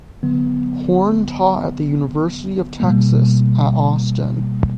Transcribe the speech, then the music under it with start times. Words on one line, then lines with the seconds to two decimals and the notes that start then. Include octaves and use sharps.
Horn taught at the University of Texas at Austin.
0.23 D3 F#3 B3
2.80 B2 G3 A#3